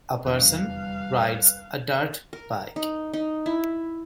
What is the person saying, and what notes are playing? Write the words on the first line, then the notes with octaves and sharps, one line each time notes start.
A person rides a dirt bike.
F1 E2 D3 G3 B4 F5
A#4
D#4
D#4
E4